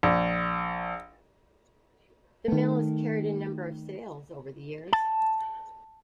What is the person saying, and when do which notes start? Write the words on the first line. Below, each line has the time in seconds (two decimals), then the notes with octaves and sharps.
The mill has carried a number of sails over the years.
0.03 A#1
2.48 D#3 A3
4.93 A5